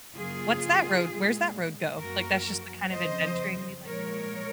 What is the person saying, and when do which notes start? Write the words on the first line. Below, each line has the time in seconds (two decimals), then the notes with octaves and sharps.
"What's that road? Where's that road go?" like, that's just the kind of adventuring we like to do-
0.14 F#2 C#3 F#3 A#3 F4 G#4
1.07 A#2 G#3
1.99 F#2 F3 A#3 F#4 A#4
2.92 F2 C#3 F3 C5 D#5
3.85 A#2 F3 G#3 A#4 C#5